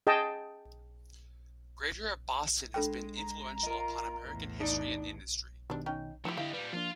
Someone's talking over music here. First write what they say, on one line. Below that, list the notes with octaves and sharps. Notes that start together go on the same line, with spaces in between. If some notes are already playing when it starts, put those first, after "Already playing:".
Greater Boston has been influential upon American history and industry.
G#4 D#5 G5 A5
G#3 D4 A4 G5
A#5
F4 A#4 D#5
E2 A2
D4 D#4 D5
B2 D#3 G3 D4
C#4 D#4 G5
F3 A3 D#4 E4 G4
D3 E4 G4 D#5 F5
A#2 G3 B4
F3 A#3 D4 F4